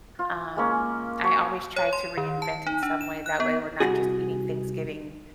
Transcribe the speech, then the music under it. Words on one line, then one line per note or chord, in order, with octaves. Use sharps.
Um, I always try to reinvent it some way, that way we're not just eating Thanksgiving
F4
G#3 A#3 C#4
F#3 C#5
C#5
C6
D#3
A5
D#4
D4
E7
F#6
B3
C2 B2 F#4 G#4